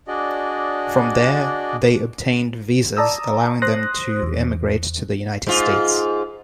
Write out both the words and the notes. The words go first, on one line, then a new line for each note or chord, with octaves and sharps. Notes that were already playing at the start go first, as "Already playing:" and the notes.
From there, they obtained visas allowing them to emigrate to the United States.
D4 F#4 G#4 D5 D#5
D5 A5 A#5 D#6 E6
C5 C6 D#6 F#6 A#6
E2
G#2 F4